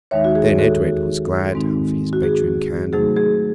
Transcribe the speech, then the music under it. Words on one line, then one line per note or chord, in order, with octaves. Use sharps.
Then Edred was glad of his bedroom candle.
D#2 D#3 G#3 D#4 C#5 E5
F#4
G#4
F#4 A4
G#2 D#3 G#3 C4 D#4
F#4
G#4
C3 F#3 A3 D#4 G#4
G#4